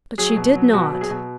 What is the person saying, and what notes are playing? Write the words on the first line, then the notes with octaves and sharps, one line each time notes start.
But she did not.
F#3 G#4
B2
F#3
B2 F#4
F#3
G#4
B2